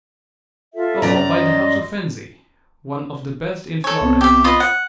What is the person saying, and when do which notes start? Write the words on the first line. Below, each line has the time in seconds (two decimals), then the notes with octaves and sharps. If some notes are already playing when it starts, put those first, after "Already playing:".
"Oh, by the house of Fenzi, one of the best in Florence."
0.74 F4 A4 E5
1.02 F#2 D5 A#5
1.28 D#5 C6
3.84 A4 C#5 G#5
4.01 C2 B3 C4
4.21 G4 E5
4.44 F4 B4 D#5
4.60 F#5